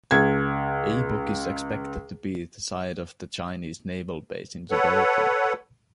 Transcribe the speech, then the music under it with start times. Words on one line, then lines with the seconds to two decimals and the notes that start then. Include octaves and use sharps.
Obock is expected to be the site of the Chinese naval base in Djibouti.
0.11 C#2 G#6
4.71 A4 B4 C#5 F#5